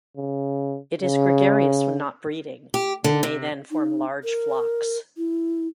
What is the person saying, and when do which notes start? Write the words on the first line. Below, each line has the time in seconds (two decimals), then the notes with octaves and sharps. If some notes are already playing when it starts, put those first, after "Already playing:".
It is gregarious when not breeding, and may then form large flocks.
0.17 C#3
1.02 C#3
2.74 G4
3.04 D3
3.23 C3
3.71 D#4
4.24 A#4
5.17 E4